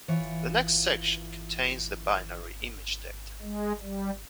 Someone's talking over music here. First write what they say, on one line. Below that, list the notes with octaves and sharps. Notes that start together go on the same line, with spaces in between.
The next section contains the binary image data.
E3 F4 C#5
G#3
G3